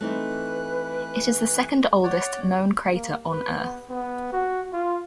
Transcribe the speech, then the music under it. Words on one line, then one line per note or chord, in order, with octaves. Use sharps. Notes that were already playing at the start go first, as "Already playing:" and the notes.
It is the second-oldest known crater on Earth.
E3 A3 C4 D#4 B4 F#6
C#5 D5 F#5
A#3
B4
B3
B3
F#4
F4